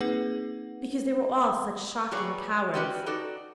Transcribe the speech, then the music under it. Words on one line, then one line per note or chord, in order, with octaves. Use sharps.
'Because they were all such shocking cowards.'
A#3 C4 D#4 G#4 B4 F#5
F#3 G3 B3 G#4 C#5 D5
C#4 F#4 G4 B4 C5 D5
D#4 F#4 A4 D5